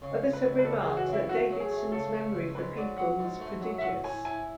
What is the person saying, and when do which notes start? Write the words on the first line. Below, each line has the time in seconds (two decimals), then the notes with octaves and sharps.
Others have remarked that Davidson's memory for people was prodigious.
0.02 C#3
0.23 C#2
0.33 B4
0.44 C#2
0.59 B4
0.65 C#2 A4
0.82 G#4
0.87 E3
0.97 F#4
1.07 C#3
1.13 E4
1.29 A3 F#4
1.50 F#3
1.60 G#4
1.71 A3
1.92 C#3 A4
2.13 A3
2.34 C#2
2.55 G#2 B4
2.76 F#3 D5
2.98 F#3 F#5
3.19 G#2
3.40 A3
3.61 F#3
3.78 E5
3.82 A2 F#5
4.04 A2 G#5
4.25 E4 G#5